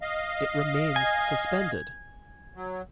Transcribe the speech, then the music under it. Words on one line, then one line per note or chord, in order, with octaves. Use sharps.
It remains suspended.
D#5 F5
G#5
F#3